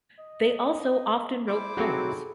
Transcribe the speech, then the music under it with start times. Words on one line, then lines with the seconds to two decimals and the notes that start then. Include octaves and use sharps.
They also often wrote poems.
0.19 D#5
1.47 E4 C5 D6
1.77 F#3 C4 D#4 F#4 G#4 A4